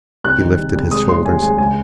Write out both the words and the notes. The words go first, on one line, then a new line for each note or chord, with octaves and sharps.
He lifted his shoulders.
C2 F#6
D#3
C2
C2
G#3 D#6
D#2 C6
D#2 G#5
G#3 G#5
C#2 G#5